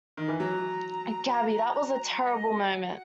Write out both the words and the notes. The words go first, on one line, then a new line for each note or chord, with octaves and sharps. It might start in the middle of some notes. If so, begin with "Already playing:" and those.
Gabby, that was a terrible moment.
D#3
E3
F#3 A#5
D#5
G#5
F#5